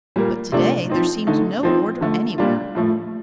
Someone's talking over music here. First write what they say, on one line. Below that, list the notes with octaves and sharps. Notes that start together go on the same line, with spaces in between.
But to-day there seemed no order anywhere.
A#2 G3 A#3
C3 F3 A3 D4
F3 C4 D#4
D3 A3 D#4
F3 C4 D#4
D3 F3 A3
A#2 G3 D4 F4
A2 F3 A3